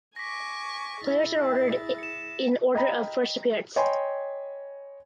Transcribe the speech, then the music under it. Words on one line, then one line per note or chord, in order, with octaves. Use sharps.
Players are ordered in order of first appearance.
G#5 C#6 D6 A#6 B6
E4 G#4 A6
C#7 E7
D#5 G5 A#5 B5
C#5 D#5 G5 G#5 B5 C6